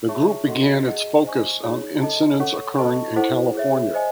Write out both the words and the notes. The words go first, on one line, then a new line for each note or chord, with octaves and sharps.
The group began its focus on incidents occurring in California.
G#4 C#5 E5 A5 C#6
F#4 A4 D#5 F#5 C6
G#4 D#5 F#5 A5
C5 D#5 G#5 C#6
D#4 G#4 C#5
A4 D#5 A5
A4 C#5 F#5 C#6
A4 D#5 A5 C#6
E4 A4 C5 F#5
G#4 C#5 E5
C5 D#5 G#5